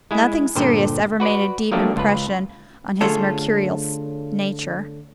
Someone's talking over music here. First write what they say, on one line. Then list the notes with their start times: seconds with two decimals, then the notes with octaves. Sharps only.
Nothing serious ever made a deep impression on his mercurial nature.
0.11 G#3 E4 G#4
0.56 G2 A#2 D3 C5 G5
1.20 F#4 B4 D5
1.71 F3 F#3 A3 A#3 D4 G4
1.96 C#2 F4 B4
3.01 D3 A3 C#4 F4 G#4 A4